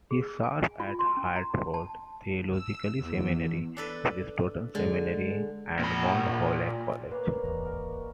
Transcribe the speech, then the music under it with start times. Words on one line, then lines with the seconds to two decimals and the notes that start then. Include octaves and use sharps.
He served at Hartford Theological Seminary, Princeton Seminary, and Mount Holyoke College.
0.11 G#4
0.43 G#5
0.80 F4
0.99 C6
1.17 C#4
1.36 A#5
1.74 A5
2.51 E6
2.96 E2
3.77 D4 A4 B4
4.75 D3 G#3
5.79 A#2 B5
7.12 A#3 B4 C#5 D5
7.43 D1 G#1 E2 G#3 A#5
7.65 F#4 A#4